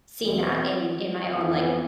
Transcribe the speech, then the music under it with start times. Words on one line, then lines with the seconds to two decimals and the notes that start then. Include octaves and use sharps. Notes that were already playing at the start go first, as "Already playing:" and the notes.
seen that in in my own, like,
0.21 E2 B2 G3 C4 E4
1.35 F2 E3 B3